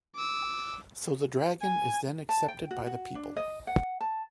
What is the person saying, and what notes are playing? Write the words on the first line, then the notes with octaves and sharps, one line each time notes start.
So the dragon is then accepted by the people.
D6 E6
G#5
A5
G5
F#4
F#4
D4
D#5
F#5
A5